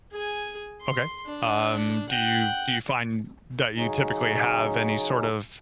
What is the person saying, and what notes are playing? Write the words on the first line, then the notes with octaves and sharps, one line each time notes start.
Okay, um, do you do you find that you typically have any sort of
G#4 G#5
C6
D4
F#5 G5
C#3 F#3 C#4 D#4